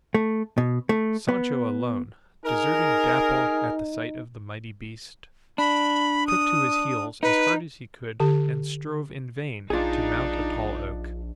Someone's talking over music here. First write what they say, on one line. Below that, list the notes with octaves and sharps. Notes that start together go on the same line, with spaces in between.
Sancho alone, deserting Dapple at the sight of the mighty beast, took to his heels as hard as he could and strove in vain to mount a tall oak.
A3
B2
A3
B3
D#4 G#4 A#4
D4 B5
D#6
D#4 B4
D3 G4
A#1 D4 D#4 F4 G#4